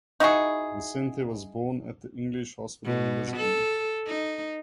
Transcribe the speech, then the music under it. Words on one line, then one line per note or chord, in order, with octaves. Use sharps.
Vicente was born at the English hospital in Lisbon.
D#4 E4 F#4 G#4
B2
A4
D#4